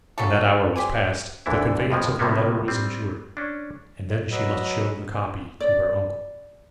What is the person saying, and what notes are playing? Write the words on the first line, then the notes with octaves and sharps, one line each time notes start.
When that hour was passed, the conveyance of her letter was insured, and then she must show the copy to her uncle.
C#3 F#3 A4
G4 C5 D5 G#5
G#1 D2 D3 E3 D4 E4
F2 A2 F3 G#3
A2 C3 G3 A#3 B3
G3 C4
C#4 D4
F#3 B4 D#5 E6
D5